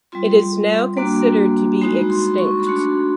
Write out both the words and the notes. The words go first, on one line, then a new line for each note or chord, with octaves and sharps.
It is now considered to be extinct.
G3 C4 F4 C6
G3 A#3 D4 F#4
G#3 C4 D#4 F#4 B5
B5
C6
C#6
B5
A3 D4 F#4 C6